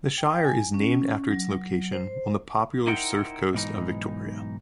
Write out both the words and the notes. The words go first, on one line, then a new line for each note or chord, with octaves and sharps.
The Shire is named after its location on the popular surf coast of Victoria.
G5
G#5
C#4
F#3
C5
D#4 E4 A#4 C5 F#5 G5
B1 G#2 E3 D#4